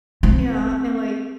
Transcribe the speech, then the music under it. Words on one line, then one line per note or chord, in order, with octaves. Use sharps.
Yeah, and, like,
C4